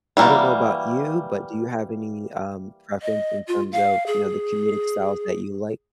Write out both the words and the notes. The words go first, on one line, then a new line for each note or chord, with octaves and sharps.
I don't know about you, but do you have any, um, preference in terms of, you know, the comedic styles that you like?
E3 G3 A#3 F#4 D5
D#5
F4
F5
G#4